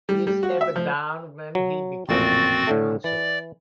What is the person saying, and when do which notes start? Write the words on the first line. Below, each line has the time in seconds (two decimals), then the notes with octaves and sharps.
He stepped down when he became chancellor.
0.09 G3
0.27 G3
0.43 F#4
0.61 E5
0.76 F3
1.55 F#3
2.09 A1 F2 A#2 C4 F#4 A6
2.67 A2 D3 A3
3.04 E3 D5